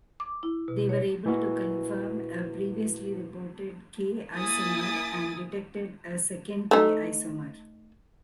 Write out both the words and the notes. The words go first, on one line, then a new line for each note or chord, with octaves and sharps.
They were able to confirm a previously reported K-isomer and detected a second K-isomer.
D6
E4
B2
C#5
A#2 E3 G#3 E4 F#4 A#4
A#3 E4 G#5 D#6 A6
A3 D#4